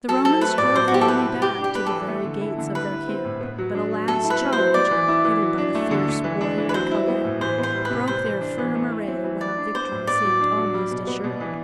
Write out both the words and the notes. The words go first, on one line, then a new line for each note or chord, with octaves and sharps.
The Romans drove the enemy back to the very gates of their camp, but a last charge, headed by the fierce warrior Khaled, broke their firm array when a victory seemed almost assured.
F#3 A4
C4 A4
A3 B4
A2 D5
F#3 C5
F#4
E4 G4
A4
C4 B4
C3
G3 G4
D4
G4
B3 B4
A4
E3
A3
D3
E4
D3
G3 B4
E4
C4
A2
B3
F#3
D4
F#3
A3 A4
E4
B4
C4
C5
F#3
B3 D5
E3
E4
E3
F#3
D4
A3
D3
A3
E3
D4
E3
B4
F#3 C5
E4
B3
A2
E3 C5
B3
C5
G3
B4
C3
G3 C5
E3
D4
E3
A3
E4
C4
E3
G3 D5
D4
B3 C5
A2
B3 D5
F#3
D4
F#3
G3
B2
B3
B2
E3